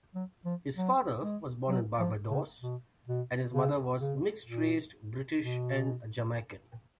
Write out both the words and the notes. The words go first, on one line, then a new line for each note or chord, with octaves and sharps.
His father was born in Barbados and his mother was mixed-raced British and Jamaican.
F#3
F3
F#3
G#3
F#3
F3
C#3
B2
B2
C#3
C#3
A#2
B2